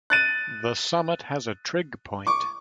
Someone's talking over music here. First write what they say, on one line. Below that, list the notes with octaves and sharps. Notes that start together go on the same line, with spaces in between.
The summit has a trig point.
F#6 A6 D#7
C#6 D6